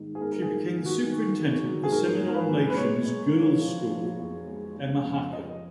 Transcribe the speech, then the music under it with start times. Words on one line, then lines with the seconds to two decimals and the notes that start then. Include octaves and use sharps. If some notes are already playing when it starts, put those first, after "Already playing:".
She became the superintendent of the Seminole Nation's girls' school, Emahaka.
Already playing: G#2 D#3
0.15 G#4
0.21 G#2 A#4
0.32 A#4
0.42 G#4
0.50 D#3
0.78 D#3
0.86 F#4
1.07 D#3
1.35 F#3
1.63 F#3
1.84 G#4
1.92 G#2 A#4
2.20 G#2
2.28 A#4
2.34 B4
2.48 F#3
2.70 B4
2.77 G#3 C#5
3.06 G#3
3.34 F3
3.62 F3
3.91 F3
4.19 F2
4.47 G#3
4.76 G#3
5.04 F2
5.32 F3 D#5